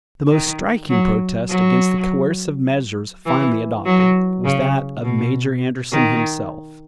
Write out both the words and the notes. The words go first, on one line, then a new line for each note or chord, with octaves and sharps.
But the most striking protest against the coercive measures finally adopted was that of Major Anderson himself.
D#3
F#3
F#3
E3
F#3
C#3
B2
D#3